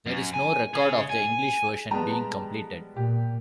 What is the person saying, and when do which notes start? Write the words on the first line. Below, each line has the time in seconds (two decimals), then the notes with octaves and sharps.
There is no record of the English version being completed.
0.06 F#2
0.34 G#5
0.74 C#3 G#4
1.09 G#5
1.91 G3 G#3 B3 G5 A5 A#5
2.96 A#2 G4